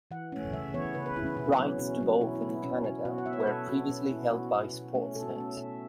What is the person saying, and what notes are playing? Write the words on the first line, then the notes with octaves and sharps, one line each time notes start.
Rights to both in Canada were previously held by Sportsnet.
E3 F#5
A3 C#4
C#3 E5
E3 B3 C#5
C#3 B4
B4
E3 B3 E4
C#4
B2 E4
F#3 C#4
B2 C#4
F#3 C#4
B2 E4
E4
B3
E4
B2 C#4
B3 E4
B2 F#4
F#5
B3 E5
C#5
B4
B2 A4
B3 F#4
B2 C#4
B3 E4
B2 F#4
B3
B2
A3 C#4
B2 A4
F#4
A4
A3 C#4
B2 E5